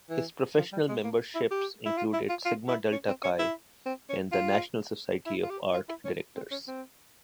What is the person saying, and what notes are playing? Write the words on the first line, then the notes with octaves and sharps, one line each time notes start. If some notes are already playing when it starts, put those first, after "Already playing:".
His professional memberships included Sigma Delta Chi and the National Society of Art Directors.
E3
F3
G3
G#3
A#3
E4
G4
E4
F4
E4
F4
F4
E4
C#4
C4
C#4
E4
C4
C#4
F4
E4
F4
G4
F4
E4
C#4
C4
C#4
C4